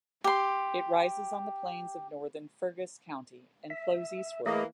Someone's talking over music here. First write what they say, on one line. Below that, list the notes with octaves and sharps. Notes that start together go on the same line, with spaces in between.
It rises on the plains of northern Fergus County and flows eastward.
G4 C6
E5
E3 A3 A#3 G#4 D#5